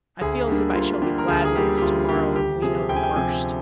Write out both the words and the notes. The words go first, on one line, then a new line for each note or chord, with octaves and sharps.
"I feel as if I shall be glad when it's to-morrow and we know the worst."
D2 G#4
D3 G3 A#3 D4 G4
D2 F4
D3 G3 A#3 D4 G4
A#4
D2 G#4
G#4
D3 G3 A#3 D4 G4
G4
D2 F4
D3 G3 A#3 D4 G4
D2 G4
C3 F3 G#4
D2 G5
G#5
G5
C3 F3 G#5